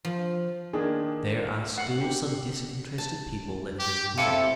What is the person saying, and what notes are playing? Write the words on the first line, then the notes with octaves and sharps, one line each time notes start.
There are still some disinterested people left in the world.
F3
D#3 A#3 D4 G#4
F#5 C7
G4
A5
G4
C3 E4 A4 F5 A5 C#7